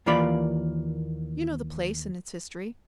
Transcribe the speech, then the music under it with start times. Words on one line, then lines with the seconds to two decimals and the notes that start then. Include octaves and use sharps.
You know the place and its history.
0.06 D#2 E3 A#3 F4 D5 B5